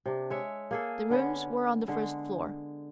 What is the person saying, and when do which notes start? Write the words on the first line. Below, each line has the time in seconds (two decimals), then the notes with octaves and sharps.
The rooms were on the first floor.
0.06 C3 D4
0.30 G#3 C#5 E5
0.71 A#3 G#4 A4
1.10 D3 B3 C#4
1.88 D3 G#3